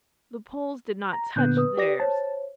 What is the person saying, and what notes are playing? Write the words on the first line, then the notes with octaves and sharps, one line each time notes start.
The Poles did not touch theirs.
A#5
A#2 D3 B3 F#6 G6
B4 D#6
G4 D5 A#6
C5 C#5 A5